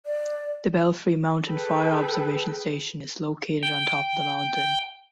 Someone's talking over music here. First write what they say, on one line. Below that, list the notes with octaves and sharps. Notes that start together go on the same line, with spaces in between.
The Belfry Mountain Fire Observation Station is located on top of the mountain.
D5
G#4 A4 B4 G5
G5